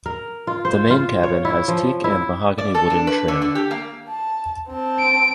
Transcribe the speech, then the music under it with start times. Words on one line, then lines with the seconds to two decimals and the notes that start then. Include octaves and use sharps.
The main cabin has teak and mahogany wooden trim.
0.06 A#4
0.47 F4
0.65 C5
0.90 F4
1.23 C#5
1.45 E4
1.68 F3
2.04 E4
2.58 D5
2.75 A4
2.90 D4
3.07 B4
3.28 D3
3.42 D3
3.55 G4
3.71 A#3
4.09 A5
4.68 C4 A5
4.99 D7